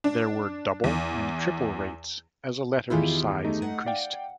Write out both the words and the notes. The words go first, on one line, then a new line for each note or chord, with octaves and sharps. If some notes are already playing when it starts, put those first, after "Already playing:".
There were "double" and "triple" rates as a letter's size increased.
D4
E2
E2 D#3 E4 F4 G4 G#4
A3 D#4
F#5
D5 F5 G5